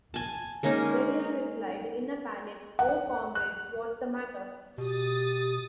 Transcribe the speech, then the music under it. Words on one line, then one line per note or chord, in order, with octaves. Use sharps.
Beria replied, in a panic, Oh Comrades, what's the matter?
G#5 A5
G#3 A#3 C#4 D#4
F#5
F#6
B2 G4 D#6 A6